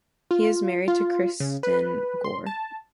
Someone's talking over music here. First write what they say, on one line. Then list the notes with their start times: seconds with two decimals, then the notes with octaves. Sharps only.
He is married to Kristin Gore.
0.31 F4
0.88 F4
1.40 C#3
1.63 B4
2.24 C6
2.46 A5